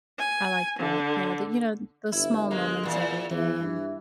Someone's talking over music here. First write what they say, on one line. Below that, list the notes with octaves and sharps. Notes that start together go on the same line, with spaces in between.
I like that, yeah, the you know, those small moments every day and,
G#5
D3
G1 E4
G#3 A#3
E2 A#2
E2 E3
G2